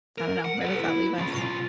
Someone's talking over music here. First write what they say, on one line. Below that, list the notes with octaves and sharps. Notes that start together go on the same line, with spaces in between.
I don't know, where does that leave us?
A#4
F#5
A4 B4
E4
C#4 F4
B1 F4